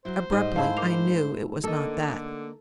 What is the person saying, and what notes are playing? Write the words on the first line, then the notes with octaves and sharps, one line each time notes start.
Abruptly I knew it was not that.
F#3 E4 C5
G#2 G3 D#5
G#2 A3 E4 F5 A5
A#4 D6 C7 F7
D3 A#3 A4 A#4 D#5